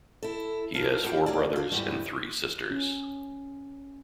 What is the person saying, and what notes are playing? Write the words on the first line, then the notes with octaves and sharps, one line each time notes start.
He has four brothers and three sisters.
E4 A4
F3 F4 A#4
B3 D4 F4 G4
E2 A#3 C#5 D5
D4 F5
E2 G#2 G3 B3 E4
C#4